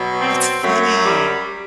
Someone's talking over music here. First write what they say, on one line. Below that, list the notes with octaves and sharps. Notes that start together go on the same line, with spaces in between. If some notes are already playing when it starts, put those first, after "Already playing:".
That's funny.
Already playing: B2 F#3
C4
F#2 F#3 A3
G3